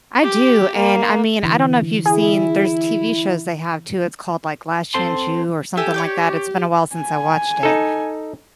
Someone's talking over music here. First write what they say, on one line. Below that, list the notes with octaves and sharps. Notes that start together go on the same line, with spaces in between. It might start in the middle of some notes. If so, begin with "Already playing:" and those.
I do, and I mean, I don't know if you've seen, there's TV shows they have too, it's called, like, Last Chance U, or something like that, it's been a while since I watched it.
G4
A#3
D3 E3
E4 G#4
C4 A4 C5 C6
G4 A4 E5 G#5
C#5 D5 G6
G#5
D#4 A4